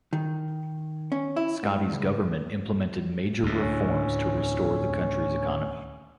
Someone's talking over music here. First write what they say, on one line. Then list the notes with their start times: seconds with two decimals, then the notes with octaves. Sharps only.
Scotty's government implemented major reforms to restore the country's economy.
0.13 D#3
1.12 C#4
1.36 E4
1.63 G#2
1.92 C#2
3.43 D2 A2
3.62 C#4